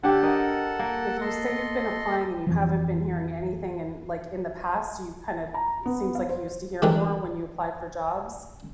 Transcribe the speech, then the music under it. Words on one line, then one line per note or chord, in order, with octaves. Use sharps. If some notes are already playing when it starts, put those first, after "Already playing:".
if you say you've been applying and you haven't been hearing anything and like in the past, you kind of seems like you used to hear more when you applied for jobs
D3 G4 A4 F#5 A5
A#4 D#5
A#3
A4 D#5 C6
F2 E3 F3
A#5
B3
F5
C5
E3 G#3 D4 G4 A#4 B4